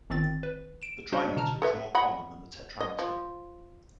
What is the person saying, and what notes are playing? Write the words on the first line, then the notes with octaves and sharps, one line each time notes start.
The trimeter is more common than the tetrameter.
G1 D#3 C4 A6
B4
D7 E7
G3 D4 F#4 C5 D#5
B2 D3 A5 A#5 F6
A4 B4 E5
D#5 F#5 B5
D#5
F3